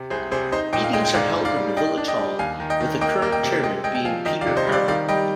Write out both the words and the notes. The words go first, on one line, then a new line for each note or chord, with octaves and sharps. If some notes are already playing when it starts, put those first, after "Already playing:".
Meetings are held in the village hall, with the current chairman being Peter Harper.
Already playing: C3
C2 G#4 C5
C3 G#4 C5
D#4 C5 D#5
A#2 D#5 G5
F5
G#3 D#5 G5
G5
G#2 D5 F5
G#2
D5 F5
G3
D4 D#5 G5
D4
D#5 G5
G3
D#2 F5 G#5
D#3
D#5 G5
D#3
A#3 D#5 G5
A#3
D#5 G5
C3
G#3 D#5 G5
G#3 D#5 G5
G5
F3 F5 G#5
D#3 D#5 G5
D5 F5
C3
C5 D#5
G3
D5 F5
D#3 D5 F5
G3 D#5 G5